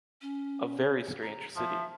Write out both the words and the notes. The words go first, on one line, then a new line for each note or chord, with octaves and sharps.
A very strange city.
C#4
A#5
F3 E5